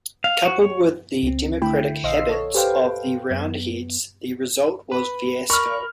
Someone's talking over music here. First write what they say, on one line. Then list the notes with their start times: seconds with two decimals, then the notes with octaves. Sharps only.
Coupled with the democratic habits of the Roundheads, the result was fiasco.
0.24 F5
0.45 F#4
0.61 C#5
1.23 C#2 C4
1.62 D3 A3 E4 G5 B5
2.03 A#1 C5 D#5 F5 E6 C7
2.29 A4 C#5
2.55 G4 A4 B4 C5 F5 G5
3.31 F#2 B3
4.92 B4
5.50 A#4 B5 C#6 F6